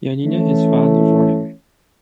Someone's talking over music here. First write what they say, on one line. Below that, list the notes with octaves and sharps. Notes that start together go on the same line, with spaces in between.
Yanina is fond of running.
E3 A3 C#4